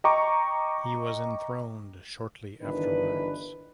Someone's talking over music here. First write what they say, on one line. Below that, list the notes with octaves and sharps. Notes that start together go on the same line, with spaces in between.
He was enthroned shortly afterwards.
D#5 G5 A#5 C#6 D6
G1 D#3 E3 D4 B4